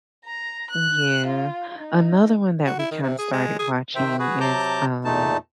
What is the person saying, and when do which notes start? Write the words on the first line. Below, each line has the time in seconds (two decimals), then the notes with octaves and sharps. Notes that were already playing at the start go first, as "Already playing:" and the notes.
yeah. Another one that we kinda, started watching is, um,
0.24 A#5
0.70 F#6
1.26 F4
1.79 D#4
2.66 F#4
2.79 E4
2.91 D#3
3.03 C3
3.18 G#4
3.32 G#3
3.59 G#4
3.95 C3 D#3 C5 E5 G5
4.19 F#4 G#4 B4
4.40 C3 F#3 A5 A#5 D6 G6
5.05 E2 A#2 A3 D#4 A5